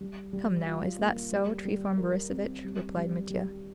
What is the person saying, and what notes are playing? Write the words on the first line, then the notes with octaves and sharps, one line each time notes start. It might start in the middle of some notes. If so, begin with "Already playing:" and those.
"Come now, is that so, Trifon Borissovitch?" replied Mitya.
G3
G3
F4
A#3
G3
G3
A#4
C4
G3
G3
G3